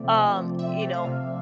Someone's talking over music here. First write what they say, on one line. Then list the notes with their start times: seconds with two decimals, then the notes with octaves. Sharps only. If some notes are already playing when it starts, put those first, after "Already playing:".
um, you know,
Already playing: C3 F3 A3 C4 D5
0.13 C3
0.37 F3
0.59 C4 E5
0.82 A3
0.94 F5
1.04 C3